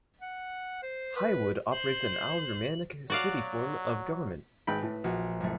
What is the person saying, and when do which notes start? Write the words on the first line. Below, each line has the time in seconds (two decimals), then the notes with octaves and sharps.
Highwood operates an aldermanic-city form of government.
0.21 F#5
0.83 C5
1.16 B4
1.73 C5 F#7
3.10 F#3 F#4 D5 F5
4.67 G#1 B4 G5 B5
4.83 A2
5.04 A#1 F#4
5.40 F#1 A3